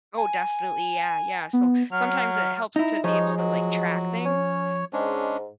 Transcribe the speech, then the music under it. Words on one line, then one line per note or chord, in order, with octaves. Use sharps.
Oh, definitely, yeah, yeah, so, sometimes it helps to be able to, like, track things,
G#5
B3
F#3 F6
D#4 E4 A#5
F3 G#3 D#4 C#5 D#5
F#3
C#4 C#5
G#2 G#3 C#4 D4